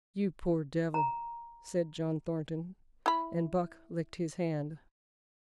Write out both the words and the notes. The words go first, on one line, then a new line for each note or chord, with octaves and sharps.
"You poor devil," said John Thornton, and Buck licked his hand.
A#5
E4 B5